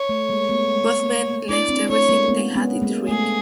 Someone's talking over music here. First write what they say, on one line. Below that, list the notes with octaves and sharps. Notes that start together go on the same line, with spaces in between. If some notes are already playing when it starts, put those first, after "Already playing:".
Both men left everything they had in the ring.
Already playing: C#5
A3
G#3 A#3
A3 B3
D4 E4 D5
C4 D4
A3 C#5
G#3 A#3
B3 C#4
B3 C#4
G#3 A#3
A3 G#4